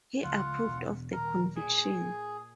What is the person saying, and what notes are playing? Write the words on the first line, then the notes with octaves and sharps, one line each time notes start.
He approved of the conviction.
C#2 F3 F4 F#5
E1
D#1 A#4
A#2 G#4